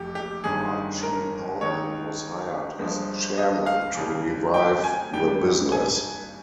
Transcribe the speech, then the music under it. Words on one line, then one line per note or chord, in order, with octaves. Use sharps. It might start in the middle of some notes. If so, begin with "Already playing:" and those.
Archie Norman was hired as chairman to revive the business.
Already playing: F1 F2 G4
G4
G1 G2 D#3 G#4
A#4
D#2 D#3 G#3 C#5
G1 G2 F3 G#3
D#5
F5
D#2 C#3 G3
G5
G#5
G#1 G2 G3 G5
G#5